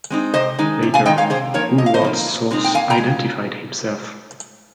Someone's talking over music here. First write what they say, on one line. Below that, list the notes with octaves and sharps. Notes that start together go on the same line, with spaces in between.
Later, Woodward's source identified himself.
G#3 C4 D#4
C3 C5 D#5
D#3 G#3 D#4
C3
F5 G#5
D#3 G#3 D#4 D#5 G5
C#5 F5
C3 G#4 C5
F3 A#3 D#4 A#4 C#5
C3 D#5
F5
C5 D#5
F3 A#3 D#4
A#2
G#3 C4 D#4
G5
A#2 F5 G#5
G5 A#5
G#3